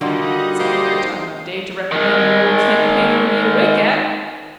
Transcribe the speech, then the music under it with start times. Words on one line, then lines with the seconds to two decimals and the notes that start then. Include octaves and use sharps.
That's a queer time of day to recommend an old campaigner to be awake at!
0.01 D3 D#3 G3 A#3 F4 F#4
0.21 D#4
0.60 A#3 D#4 G4 A#4 C5
1.92 D#3 G#3